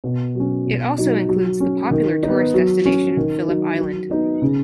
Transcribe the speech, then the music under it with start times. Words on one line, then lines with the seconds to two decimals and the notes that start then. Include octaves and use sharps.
It also includes the popular tourist destination, Phillip Island.
0.04 B2
0.35 F#3 C#4
0.67 B2
0.98 F#3 D#4
1.29 F#3
1.60 C#4
1.91 D#3
2.23 B3 D#4
2.54 F#3
2.86 C#4
3.17 D#3
3.48 F#3 D#4
3.78 F#3
4.10 B3 D#4
4.42 C#3